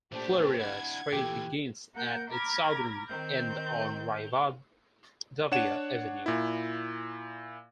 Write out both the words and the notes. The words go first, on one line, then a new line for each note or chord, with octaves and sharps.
Florida Street begins at its southern end on Rivadavia Avenue.
A#2 A3 D4 G4 C5
D4 E4 F#5 G#6
A#2 E3 G4 A4
A#3 A#4 F#5 G6
A#5 B5 D6 F6 G#6 A#6
D#3 C4 G6
D4 C#5 F#5 E7
A#2 E4